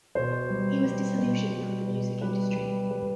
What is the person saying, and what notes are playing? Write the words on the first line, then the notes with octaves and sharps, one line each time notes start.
He was disillusioned with the music industry.
B2 C5
G3
G3
B2
G3
B2
G3 B4
G3
G3 B4